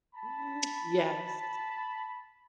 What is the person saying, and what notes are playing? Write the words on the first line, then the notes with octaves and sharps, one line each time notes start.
Mm. Yes.
A5 B5